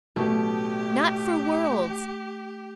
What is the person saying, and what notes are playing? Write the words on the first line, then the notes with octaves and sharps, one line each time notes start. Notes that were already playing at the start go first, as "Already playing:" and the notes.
'Not for worlds!
A1 B2 A3 G4